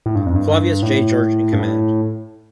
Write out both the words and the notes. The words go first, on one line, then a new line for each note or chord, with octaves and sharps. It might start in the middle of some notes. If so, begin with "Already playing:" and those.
Flavius J. George in command.
A2
G2
F2
G2
A2
G2
A2